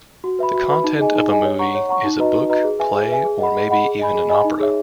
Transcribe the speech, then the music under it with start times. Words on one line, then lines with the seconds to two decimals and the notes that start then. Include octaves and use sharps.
The content of a movie is a book, play or maybe even an opera.
0.24 F#4
0.39 B4 E5 B5
0.54 F#4
0.69 B4 E5 B5
0.84 D#4
0.99 G#4 D#5 G#5
1.14 D#4
1.29 G#4 D#5 G#5
1.44 C#5
1.59 F#5 A#5 C#6
1.75 C#5
1.89 F#5 A#5 C#6
2.04 D#4
2.19 F#4 B4 D#5 A#5
2.35 D#4
2.50 F#4 B4 D#5 A#5
2.64 G#4
2.79 B4 E5 G#5
2.94 G#4
3.10 B4 E5 G#5
3.25 G#4
3.39 D#5 F#5 B5
3.55 G#4
3.69 D#5 F#5 B5
3.85 G#4
3.99 D#5 G#5 B5
4.15 G#4
4.29 D#5 G#5 B5
4.45 D#4
4.59 G#4 C#5 E5